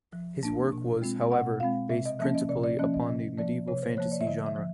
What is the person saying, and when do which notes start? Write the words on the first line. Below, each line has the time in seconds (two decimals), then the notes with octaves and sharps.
His work was, however, based principally upon the medieval fantasy genre.
0.13 F3
0.43 A#3 D4
0.72 B2
1.02 G#3 C4 F4
1.31 B2 F#5
1.60 G#3 C4 F4 F5
1.90 C3 E5
2.06 D#5
2.19 F3 A#3 C#4 E5
2.35 D#5
2.49 C3 D5
2.64 D5
2.79 F3 A#3 C#4 D#5
2.94 D#5
3.08 C3 D#5
3.38 F3 A#3 D5
3.68 C3 C#5
3.83 C5
3.97 F3 A#3 C#5
4.12 D5
4.21 E5
4.27 D3 D#5
4.46 E5
4.56 F3